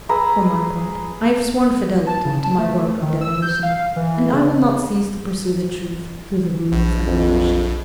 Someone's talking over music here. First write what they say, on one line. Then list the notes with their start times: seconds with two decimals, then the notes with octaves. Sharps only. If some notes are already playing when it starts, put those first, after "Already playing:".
For my part, I have sworn fidelity to my work of demolition, and I will not cease to pursue the truth through the ruins and rubbish.
0.09 G#4 B4 A#5 E6
2.07 A5
2.25 C#3
2.44 A5
2.58 A3
3.02 D#3
3.21 E6
3.42 G6
3.63 F5
3.96 E3
4.32 C#3
6.72 A#1
7.06 F2